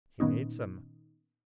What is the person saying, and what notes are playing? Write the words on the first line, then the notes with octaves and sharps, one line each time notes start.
He needs them.
A#2 D#3 B3 C#4 D#4